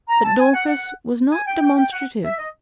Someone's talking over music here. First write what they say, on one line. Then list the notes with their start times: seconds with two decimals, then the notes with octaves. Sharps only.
But Dorcas was not demonstrative.
0.09 A#5
0.24 A5
0.39 G#5
0.54 F#5
0.69 F#5
1.32 G#5
1.47 G5
1.62 G5
1.77 G5
1.93 F#5
2.24 E5
2.38 D#5